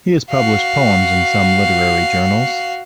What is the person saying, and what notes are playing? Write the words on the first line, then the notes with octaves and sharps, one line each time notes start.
He has published poems in some literary journals.
F#4 F5